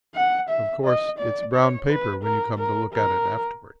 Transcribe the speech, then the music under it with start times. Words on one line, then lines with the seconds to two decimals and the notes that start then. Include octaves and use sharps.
Of course it's brown paper when you come to look at it afterward.'
0.15 F#5
0.49 E5
0.85 D#5
1.19 D5
1.55 C#5
1.89 B4
2.23 A#4
2.58 A#4
2.93 A#4